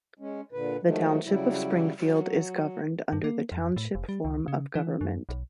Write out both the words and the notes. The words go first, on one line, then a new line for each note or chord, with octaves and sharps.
The Township of Springfield is governed under the township form of government.
G#3 C#4
A#2 D3 B4
D#3 F3 F#3 G#3 A3
C#3 F#3 G3 E4
F#3
G2
A#3
F2
A2
F1
G3
C#2
C#3
E3
F#2
B1